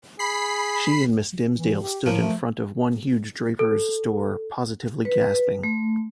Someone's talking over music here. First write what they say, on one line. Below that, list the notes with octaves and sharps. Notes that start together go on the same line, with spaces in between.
She and Miss Dimsdale stood in front of one huge draper's store positively gasping.
G#4 B5 B6 C7
E3
G4
A2 F3 A#3
A3
A4
B4
A3